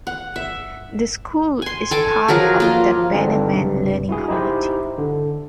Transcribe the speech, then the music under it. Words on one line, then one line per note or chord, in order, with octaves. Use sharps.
The school is part of the Bannerman Learning Community.
F#5
E5
G#5 C6
A4 G#5 D6
F3 F#3 G#4 A#4
A#3 F4 D#5
F3
G2 D3 G#3 C4 D4 D#4
C#2 G2 C3
E4 F#4 G#4
D#4 E4 G4 C5
D3